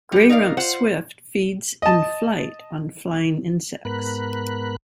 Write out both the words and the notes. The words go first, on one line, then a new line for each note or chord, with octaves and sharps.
Grey-rumped swift feeds in flight on flying insects.
G3 G4
D#4 A#4 D5 F5
F4 C5 F#5
D#5 A5
G#2 B3 A#4 B5 F#6